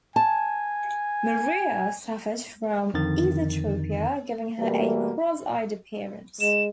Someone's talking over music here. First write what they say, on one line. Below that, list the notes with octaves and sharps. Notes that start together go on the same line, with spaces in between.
Maria suffered from Esotropia giving her a "cross-eyed" appearance.
G#5 A5
F2 D3 D#3 A6
B2 E3 G3 A3 A#3
G#3 E7